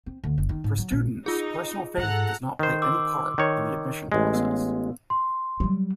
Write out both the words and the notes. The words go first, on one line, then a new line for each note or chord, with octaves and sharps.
For students, personal faith does not play any part in the admission process.
C4
D2
F#1
D#3
G#2
F#3
A#1
D#4 F4 G#4
G#2 A4 F#5 A#5
D#3 C5
C6 D6 E6
D#3 C#5
A1 G#3
B3
C6
F#3 G3